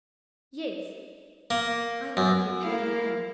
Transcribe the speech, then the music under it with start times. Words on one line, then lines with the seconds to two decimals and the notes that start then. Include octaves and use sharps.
"Yes--I like it very well."
1.50 A#3
2.17 F#2
2.60 A#3 E4 F5